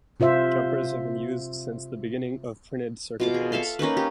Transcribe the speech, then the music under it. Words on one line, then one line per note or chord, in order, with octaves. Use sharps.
Jumpers have been used since the beginning of printed circuit boards.
C3 F4 C5 E5
B2 F4 D6
G#4
A4 E5 F5 C6
A#3 C#4 D#4 B4
G4